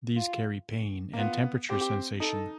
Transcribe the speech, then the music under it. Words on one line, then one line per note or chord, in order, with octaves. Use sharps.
These carry pain and temperature sensation.
F4
A#3
B3 F4
C4 G4
D#4 A4